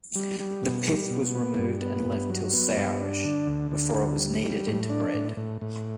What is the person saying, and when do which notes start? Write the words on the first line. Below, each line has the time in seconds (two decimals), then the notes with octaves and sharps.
The pith was removed and left till sourish, before it was kneaded into bread.
0.15 G3
0.40 G3
0.63 B2
0.87 G3
1.10 B2
1.35 B3
1.58 G2
1.81 B3
2.05 G2
2.29 F#3
2.53 B3
2.76 G2
3.00 D4
3.24 D3
3.47 D2
3.71 D3
3.95 D2
4.18 G3
4.42 G3
4.67 A2
4.90 D4
5.14 A2
5.37 A2
5.61 A2